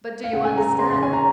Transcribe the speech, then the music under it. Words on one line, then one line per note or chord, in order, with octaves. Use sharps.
"But do you understand?"
F5
C#3 F#5
G#5
C#3 A#5
C#4 C6
C6
C#4 G#5
A#5